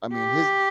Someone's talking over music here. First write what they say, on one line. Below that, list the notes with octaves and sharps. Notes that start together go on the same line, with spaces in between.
I mean, his
G4